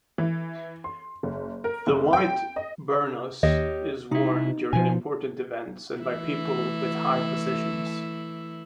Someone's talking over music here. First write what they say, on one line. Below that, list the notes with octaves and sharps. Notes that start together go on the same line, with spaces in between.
The white Burnous is worn during important events and by people with high positions.
E3
C6
F#1
A#4
F1
G5
D#5
D#2 G4 C#5 D#5
C3 D#4 E4
B2 F3 G#5
E3 A3 E4